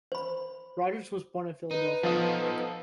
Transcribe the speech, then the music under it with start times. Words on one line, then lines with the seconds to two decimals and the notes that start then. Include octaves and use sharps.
Rogers was born at Philadelphia.
0.12 C5 B5
1.71 D#4 B4
2.03 F3 B3 D#4 A4 F5 D#6